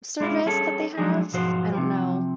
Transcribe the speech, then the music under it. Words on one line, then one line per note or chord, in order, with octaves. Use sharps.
service that they have? I don't know,
G#3 D4 E4 F4
G3 C#4 G#4 A4
F3 F#3 G#3 D4 G#4
B1 G#2 F3 F#4 C5
C3 F3